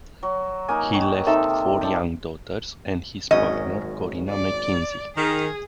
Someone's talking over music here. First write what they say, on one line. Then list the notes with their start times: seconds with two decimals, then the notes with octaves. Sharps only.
He left four young daughters and his partner Corina McKenzie.
0.23 F#3
0.68 A#3 D#4 G#5
0.93 D#3 F#3
1.26 C3 D#4 A4 E5
1.81 A4 D5 G5
3.31 G#1 F#2 C#4 D#5
4.29 D5
5.16 D#3 G#4